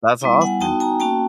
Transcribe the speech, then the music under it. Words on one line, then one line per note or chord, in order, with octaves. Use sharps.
That's awesome.
G3 B3 E4
F#5 G#5
B3 D#4 F#4 G5 A5
G#5 A#5
A#3 C#4 F#4 G5 A5